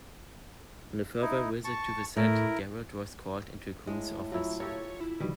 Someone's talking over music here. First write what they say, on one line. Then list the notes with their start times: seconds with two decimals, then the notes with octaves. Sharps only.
On a further visit to the set, Gerrold was called into Coon's office.
1.22 D#4 E4
1.64 A5 C#6
2.16 A2 E4 A#4
3.87 A2 G#3
4.32 F#3 E4 F4
4.60 G4 A4 A#4 C#5
5.00 E4
5.20 B2 D3 D#3 F3 G3